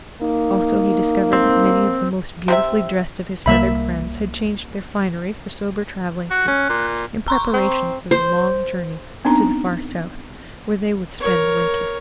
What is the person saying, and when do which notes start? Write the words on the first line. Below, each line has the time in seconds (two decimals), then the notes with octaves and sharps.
Also he discovered that many of the most beautifully dressed of his feathered friends had changed their finery for sober traveling suits in preparation for the long journey to the far South where they would spend the winter.
0.22 A#3 D#4
1.33 C4
2.48 C3 C4 E5
3.46 C2 C3 G3 A#3 E5 B5
6.31 F#4 F#6
6.48 C#4
6.70 A#2
7.28 A#5 C6 C#6
7.53 C4
8.11 C5
9.25 B3 C4 D4 D#4 A#5
11.20 A#4 C#5